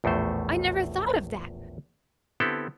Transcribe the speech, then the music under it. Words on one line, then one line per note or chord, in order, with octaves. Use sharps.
I never thought of that!
A#1 E2 A2 A3 C5
D3 B3 C4 E4 G4 A4